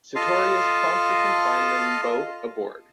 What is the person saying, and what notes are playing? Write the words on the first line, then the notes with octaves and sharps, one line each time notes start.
Sartorius promptly confined them both aboard.
F4 A4 D#5 F5